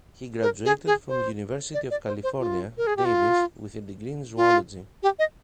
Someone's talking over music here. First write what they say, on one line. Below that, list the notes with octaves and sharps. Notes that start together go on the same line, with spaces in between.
He graduated from University of California, Davis, with a degree in zoology.
A#4
G#4
G#4
C5
D5
D5
C5
C5
F4
A#4
G#4
G4
F4
F4
G4
D#5